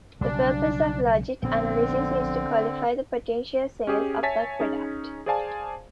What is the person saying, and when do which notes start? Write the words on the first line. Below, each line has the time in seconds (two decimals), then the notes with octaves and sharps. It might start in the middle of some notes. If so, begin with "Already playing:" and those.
The purpose of logit analysis is to quantify the potential sales of that product.
0.21 B1 C#3 G3 D4
1.43 A#1 D3 B3 C4
3.87 C#4 G4 G#4 D#5
4.23 C#5 E5 G#5 A5 A6 B6
4.60 C#4 D#4 G#4
5.26 G#4 C5 D5 F5 G#5 A5